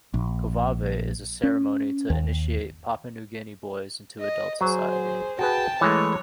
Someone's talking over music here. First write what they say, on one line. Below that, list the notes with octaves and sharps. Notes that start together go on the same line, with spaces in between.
Kovave is a ceremony to initiate Papua New Guinea boys into adult society.
A#1
C#4
D#2
D#5
F#3 G#4 C5
F#4 G#4 B4 G5 A5
E3 G#3 A3 C#5